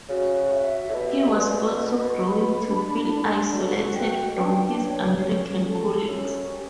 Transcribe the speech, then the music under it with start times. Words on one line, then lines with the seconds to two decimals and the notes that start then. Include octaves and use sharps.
He was also growing to feel isolated from his American colleagues.
0.09 C#3 F#4
0.52 E5
0.88 A2
0.94 B2 G4
1.37 D5
1.80 B4
2.23 B5
2.66 D4
3.08 A4
3.51 D3 F#4
3.59 C#3
3.68 D3
3.93 B2 G5
4.36 G2 D4
4.79 C#5
5.22 C#4
5.65 A4
6.07 F#2 C#4
6.50 G4